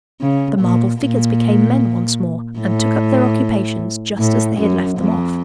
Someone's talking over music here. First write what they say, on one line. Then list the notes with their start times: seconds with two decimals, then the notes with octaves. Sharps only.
The marble figures became men once more, and took up their occupations just as they had left them off.
0.21 C#3
0.60 A#2
1.00 A#2
2.59 A2
4.18 A2
4.58 F#2
4.98 F2